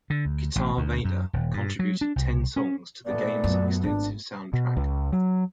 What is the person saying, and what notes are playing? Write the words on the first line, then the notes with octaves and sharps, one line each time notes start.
Guitar Vader contributed ten songs to the game's extensive soundtrack.
D3
D2
A1
D2
F#2
D#1
G2
F#3
D4
C2
C#4
A#2 A3 B3 D5
F#2
G#1 D4
B2
C#2
F#3